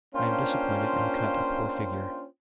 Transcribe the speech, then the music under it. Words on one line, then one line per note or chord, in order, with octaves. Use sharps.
I am disappointed and cut a poor figure.'
A#3 C#4 D4 F4 C5 G5